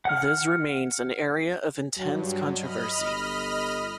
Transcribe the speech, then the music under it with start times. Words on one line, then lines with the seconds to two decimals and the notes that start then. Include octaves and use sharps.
This remains an area of intense controversy.
0.05 F#5 F6
1.98 G2 F#3
2.54 D#5 B5 F6
2.98 G1